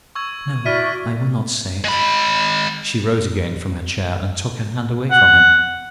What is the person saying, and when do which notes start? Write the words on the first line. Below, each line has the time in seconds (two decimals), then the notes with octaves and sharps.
"No--I will not say it." She rose again from her chair, and took her hand away from him.
0.15 C#6 E6 G#6
0.65 E4 F#4 D5 F6 B6 D#7
1.84 G#3 B5
5.11 F#5